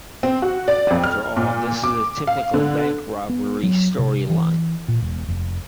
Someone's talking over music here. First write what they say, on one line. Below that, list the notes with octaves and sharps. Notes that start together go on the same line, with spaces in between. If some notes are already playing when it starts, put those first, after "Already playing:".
After all this is a typical bank robbery storyline.
C4
F#4
D5
F2
F6
A#2
D6
F5
D3
B3
F#3
C3
E3
A#2
E1
F1